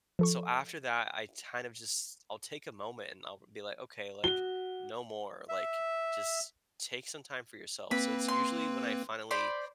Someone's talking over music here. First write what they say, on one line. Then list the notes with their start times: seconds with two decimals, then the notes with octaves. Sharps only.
so after that, I kinda just I'll take a moment, and I'll be like, "Okay. Like, no more. Like, just take some time for yourself." So, it's usually when I finally
0.19 F3 A4 C#6
4.24 F#4 G7
5.49 E5
7.91 A#3 C4 B4 B5
8.28 C6
9.31 C5 D5 B5